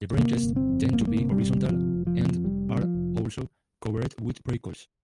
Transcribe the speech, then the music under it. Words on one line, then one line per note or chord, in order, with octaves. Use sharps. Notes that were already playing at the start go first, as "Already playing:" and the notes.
The branches tend to be horizontal and are also covered with prickles.
C3 A#3
G1
C4
F2
G1 A#3
G3
A#3
C3
G3
G1
C3 F3
F1
F3
F2
F1 G3
C3
F3
F1